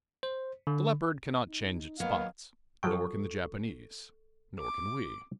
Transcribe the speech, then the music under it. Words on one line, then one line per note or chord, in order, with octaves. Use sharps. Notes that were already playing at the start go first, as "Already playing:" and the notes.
The leopard cannot change its spots, nor can the Japanese, nor can we.
C5
D3
D#4
D#3 F#3 A#3 B3 F5
F3 F#3 A4 G5 C#6
D6